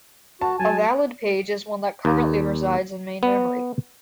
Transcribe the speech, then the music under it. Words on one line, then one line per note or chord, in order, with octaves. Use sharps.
A valid page is one that currently resides in main memory.
F#4 A5
F#3 G#5 A5
D#2
B3